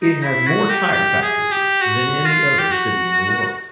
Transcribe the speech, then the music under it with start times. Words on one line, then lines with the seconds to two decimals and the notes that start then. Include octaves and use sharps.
It has more tire factories than any other city in the world.
0.02 D#4
0.25 E4
0.47 F#4
0.69 G4
0.92 G4
1.22 G#4
1.52 G4
1.81 F#4
2.26 F4
2.59 G4
2.71 F#4